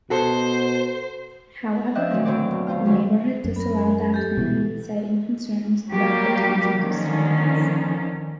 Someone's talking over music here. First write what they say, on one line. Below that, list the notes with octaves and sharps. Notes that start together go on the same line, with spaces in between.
However, the neighborhood disallowed that plan, citing concerns about potential disturbance.
B2 F#4 A4 C5
F3 D4 D#5 E5 G5 F#6
A#2 D#3 F#3 A3 C4 C#4
A2 D3 F#3 C4 C#5 D5
B2
D#2 F4 C5 G5 F6
A#2 D3 F#3 G3 C#4
F#2
A#4 B5
G4 A4
B2 D#3 E3
F#3 G3 A#3 G4
D3 D#3 F3 A#3 C#4